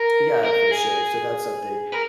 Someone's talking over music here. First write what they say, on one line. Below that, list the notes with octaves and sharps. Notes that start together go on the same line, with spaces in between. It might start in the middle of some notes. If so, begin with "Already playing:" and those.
yeah, for sure, so that's something
Already playing: A#4
A#4
G#4
A#4